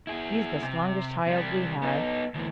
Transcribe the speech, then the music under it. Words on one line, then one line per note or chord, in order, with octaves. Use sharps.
He's the strongest child we had.
E4 G#4
C3
C3 G3
B3 D#4
D2 E3